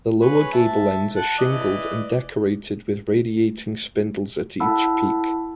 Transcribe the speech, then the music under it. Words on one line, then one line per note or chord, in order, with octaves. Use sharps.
The lower gable ends are shingled and decorated with radiating spindles at each peak.
G#4 B4 C#5
E5 A5
F#5 A5
E3 D5 D#5
E4 A4 F#5 A5 B5 E6